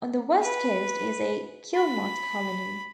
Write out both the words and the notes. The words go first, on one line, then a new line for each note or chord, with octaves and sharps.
On the west coast is a guillemot colony.
B4
B5